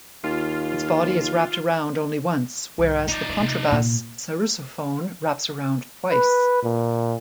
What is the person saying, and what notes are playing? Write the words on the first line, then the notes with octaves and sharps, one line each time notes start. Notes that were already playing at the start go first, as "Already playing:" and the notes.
Its body is wrapped around only once, whereas the contrabass sarrusophone wraps around twice.
D#2 F4
C2 G#2
F3 D#4 F4 D5
C#2 E4
C3 D#3
A#2
B4
A#2